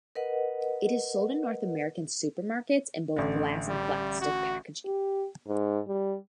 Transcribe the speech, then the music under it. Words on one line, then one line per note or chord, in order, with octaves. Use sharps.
It is sold in North American supermarkets in both glass and plastic packaging.
A#4 B4 D#5 F#5
A1 D3
G3
F#4
G4
G#2
G3